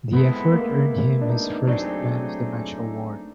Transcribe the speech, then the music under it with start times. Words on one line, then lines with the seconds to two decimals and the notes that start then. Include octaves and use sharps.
The effort earned him his first Man of the Match award.
0.13 G#3 B3 C4 E4 A4
0.52 A#3
1.21 D4
1.29 D#4
1.68 F#3 A3 C4 D4 D#4 G#4